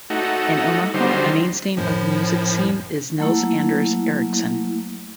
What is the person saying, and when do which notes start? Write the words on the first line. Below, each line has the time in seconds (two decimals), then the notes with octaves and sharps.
In Omaha, a mainstay of the music scene is Nils Anders Erickson.
0.10 A3 D#4 F#4
0.94 D3 F#3 G3 D#4 C5
1.77 F#2 A2 F3
3.18 F#3 A3 A#3 E4